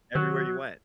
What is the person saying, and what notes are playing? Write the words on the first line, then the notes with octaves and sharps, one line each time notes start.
Everywhere you went.
D#3 F#3